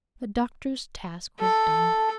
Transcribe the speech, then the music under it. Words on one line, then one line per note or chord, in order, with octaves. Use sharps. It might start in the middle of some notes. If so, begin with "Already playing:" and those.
The doctor's task was done.
A4